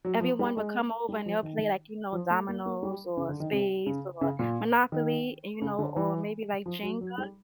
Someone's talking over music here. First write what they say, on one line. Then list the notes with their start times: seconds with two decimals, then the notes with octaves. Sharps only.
everyone would come over and they'll play like, you know, dominoes or spades or Monopoly, and, you know, or maybe, like, Jenga.
0.05 F#3
0.21 F3
0.39 G3
0.57 G#3
1.09 G3
1.26 F3
1.43 D#3
2.13 F3
2.31 A3
2.48 A#3
2.66 A#3
2.83 G3
3.17 C#3
3.29 D3
3.40 D#3
3.52 C3
3.86 C#3
4.21 C#3
4.39 A#2
4.92 D#3
5.62 C#3
5.79 D3
5.96 E3
6.66 F3
6.83 F#3
7.01 F#3
7.18 G3